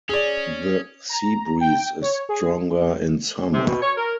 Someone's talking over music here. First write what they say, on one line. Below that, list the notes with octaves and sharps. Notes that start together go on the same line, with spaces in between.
The sea breeze is stronger in summer.
C#4 G#4 D5
A#5
G5
C#5
G#4
C3
B2
C#5
A#4